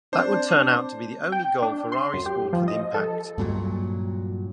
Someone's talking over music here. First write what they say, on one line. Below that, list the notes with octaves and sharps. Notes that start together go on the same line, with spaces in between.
That would turn out to be the only goal Ferrari scored for the Impact.
C4 D4 C5
G5
D4
C6
F#2
G4
F3
D#5
A4
G2 A#2 F#3